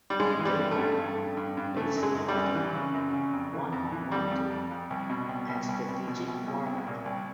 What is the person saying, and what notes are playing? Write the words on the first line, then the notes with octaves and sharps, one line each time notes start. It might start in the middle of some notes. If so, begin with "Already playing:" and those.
They are: 'Basic Battle', 'One-on-one Duel' and 'Strategic War Battle'.
G3
G2 G#3
E3
G3
G2
A3
G2
G2
G2
G2
G2
C#3 A3
F#2
G#3
F#2
G3
F#2
E3
C#3
F#2
C#3
F2
E3
F2
E3
F2 G3
F2
F2
F2
C2
B2
C2
C2
C2
C2
B2
C2
C2
C2
A#2
C2